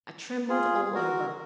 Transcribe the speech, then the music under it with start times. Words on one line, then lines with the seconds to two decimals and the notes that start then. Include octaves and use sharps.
I trembled all over.
0.50 F4 G#4
0.94 F#4 A#4